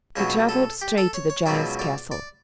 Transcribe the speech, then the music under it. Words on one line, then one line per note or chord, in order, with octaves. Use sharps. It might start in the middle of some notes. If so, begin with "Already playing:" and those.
He traveled straight to the giant's castle.
C#2 B2 F#3 C#5
A4
G4
A4
C#5
C#5
C#2 B2 F#3 D5
D5
D5